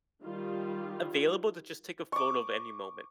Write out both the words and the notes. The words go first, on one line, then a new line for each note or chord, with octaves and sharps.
a available to just take a photo of any moment.
D#3 G3 F4
C#6 D6